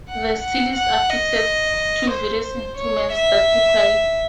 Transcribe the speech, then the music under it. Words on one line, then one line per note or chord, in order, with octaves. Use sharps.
The seal is affixed to various instruments that require it.
F#5
F#5
F#5
D#5
C5
C5
C#5
E5